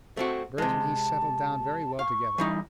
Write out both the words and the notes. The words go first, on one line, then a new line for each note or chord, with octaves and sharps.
Bert and he settled down very well together.
A3 C4 F#4
C3 G#3 A5
F5 C#6
E3 G3 D#4